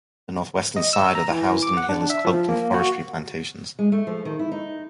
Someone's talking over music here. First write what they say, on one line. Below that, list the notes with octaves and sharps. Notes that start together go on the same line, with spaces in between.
The northwestern side of the Housedon Hill is cloaked in forestry plantations.
D#5
E6
A#5
E3
D6
F#5
D4
E5
F3
A#3
F#4
G#3
A3
F3
D#3
E4
D#4